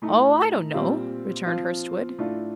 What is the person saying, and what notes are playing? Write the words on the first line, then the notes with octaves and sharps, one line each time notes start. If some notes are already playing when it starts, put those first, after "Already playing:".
"Oh, I don't know," returned Hurstwood.
A2 A3 D#4
A#2 G3 C4 F4
F3 C4 F4
A2 A3 D4 F4